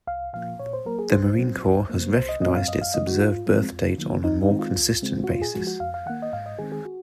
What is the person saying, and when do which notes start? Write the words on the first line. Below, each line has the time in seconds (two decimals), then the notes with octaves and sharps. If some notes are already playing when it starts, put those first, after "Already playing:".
The Marine Corps has recognized its observed birth date on a more consistent basis.
0.07 C2 F5
0.33 A#2 F3 A#3 F5
0.59 A#2 C#5
0.73 C5
0.85 F#3 A#3 A#4
0.99 G#4
1.12 C2 C5
1.38 A#2 F#3 C4
1.64 C#2
1.90 C3 F#3 A#3
2.16 C2 C5
2.29 D#5
2.41 A#2 F#3 C4 D#5
2.55 F5
2.68 F#2 D#5
2.81 F5
2.94 D#3 G#3 D#5
3.07 F#4
3.20 G#2 F4
3.47 F3 G#3 C4
3.72 F2
3.98 D#3 F#3 A#3
4.24 D#2 D#4
4.42 D#4
4.50 D#3 G#3 C4
4.59 F4
4.76 C#2
5.02 C#3 G#3 C4
5.24 F#4
5.29 A#2 F4
5.42 G#4
5.55 F3 G#3 F#4
5.67 F#4
5.80 F2 F5
5.94 F5
6.06 D#3 A#3 F#5
6.22 D#5
6.33 G#2 F5
6.46 D#5
6.59 D#3 G#3 C4 G#4
6.72 G#4
6.85 F#4